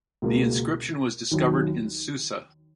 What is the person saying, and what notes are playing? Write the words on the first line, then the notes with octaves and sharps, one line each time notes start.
The inscription was discovered in Susa.
C#2 B2 A#3
D#2 D#3 F#3